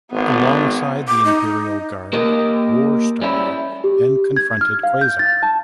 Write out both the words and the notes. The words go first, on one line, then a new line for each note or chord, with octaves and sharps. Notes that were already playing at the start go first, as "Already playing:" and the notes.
Alongside the Imperial Guard, Warstar then confronted Quasar.
G#1 B3
D6
D#4
A#3 G4 A#4 D#5
G3 C#4 E4
G4
G#6
F6
F5
G6
A6
A5